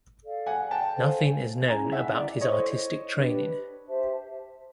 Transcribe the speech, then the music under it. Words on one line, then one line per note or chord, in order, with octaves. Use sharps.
Nothing is known about his artistic training.
A4 D5 F5
F#5 G#5
G5 A5
A4 C5 F5 G#5
C#4 E4 G#4 G#5 A#5
E5 F#5
D5 E5
E4 A4 C5 C#5 D#5
D4 G4 B4
G4 C5 E5 A5